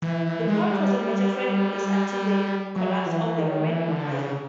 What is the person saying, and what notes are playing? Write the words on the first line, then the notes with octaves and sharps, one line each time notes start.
The port was a major trading place until the collapse of the Roman Empire.
E3
E3
G#3
G3
F#3
E3
D#3
E3
D3
C#3